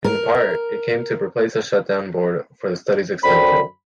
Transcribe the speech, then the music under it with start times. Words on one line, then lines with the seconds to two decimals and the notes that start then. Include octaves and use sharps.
In part, it came to replace the shut down Board for the Studies Extension.
0.04 A#4
3.23 F#2 D3 C4 B5